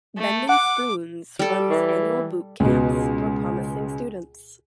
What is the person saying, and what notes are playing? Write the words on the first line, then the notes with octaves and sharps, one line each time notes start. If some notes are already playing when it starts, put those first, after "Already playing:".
Bending Spoons runs annual bootcamps for promising students.
A3
F#5 D6
G3 A4
E3
C#2 B2